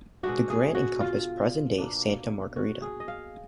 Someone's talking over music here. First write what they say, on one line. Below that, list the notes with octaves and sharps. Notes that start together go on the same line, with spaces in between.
The grant encompassed present day Santa Margarita.
B2 G#3 D4 F#4
G#4
F#4
F4
B2 A#3 D4
F#4
G#4
D#5
F5